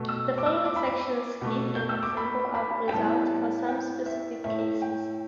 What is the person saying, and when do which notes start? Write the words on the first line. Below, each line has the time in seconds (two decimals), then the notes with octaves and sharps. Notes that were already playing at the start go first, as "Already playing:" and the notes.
The following sections give an example of results for some specific cases.
Already playing: B2 A3
0.09 E6
0.38 D6
0.46 E6
0.65 D6
0.76 B5
0.86 D6
1.41 B2 A3
1.75 G6
1.89 E6
2.03 D6
2.17 B5
2.55 B5
2.88 G5
2.92 A2 G3 B3 A5
3.69 G5
4.06 E5
4.44 A2 A3 E5
4.82 G5